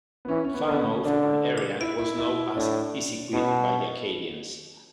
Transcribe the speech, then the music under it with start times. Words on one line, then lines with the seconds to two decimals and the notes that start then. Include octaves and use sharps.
Falmouth and area was known as Pisiquid by the Acadians.
0.25 B3
0.28 E3 C#4
0.44 C#4
0.54 B3
0.66 D3 B3
0.79 C#4
1.05 D3 D4
1.81 E4
1.98 E4
2.19 E4
2.57 A2 D4
3.33 B2 C#4